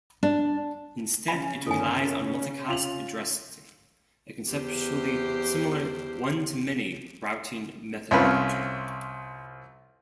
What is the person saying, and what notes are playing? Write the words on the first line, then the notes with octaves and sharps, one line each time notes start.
Instead it relies on multicast addressing - a conceptually similar "one-to-many" routing methodology.
D4
C#3 C#4 E5 G#5 B5
G1 D#3 A4 G#5
F4 F7 F#7
E2 G4 C5
C2 C4 C#4 F4 B4 F6